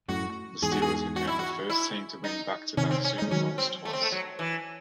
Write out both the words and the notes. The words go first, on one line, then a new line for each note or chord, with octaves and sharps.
The Steelers became the first team to win back-to-back Super Bowls twice.
F#2 A2 F#4
E2 G#2 G#4
F#4
G#4
F#4
E4
F#4
E4
D#4
C3 D#3 C#4
C4
C#4
D#4
G#3
D#3 F#3 C#4
C4
A3
C4
A3
F#3
E3